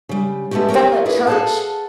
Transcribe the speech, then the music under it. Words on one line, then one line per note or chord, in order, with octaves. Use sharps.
From the church?
C#3 G3
G#3 A3 B3 C4 F#4 G4
G4 A#4 C#5 D#5
E4 G#4 B4 D5
G#4 A4 B4 F5 F#5 A5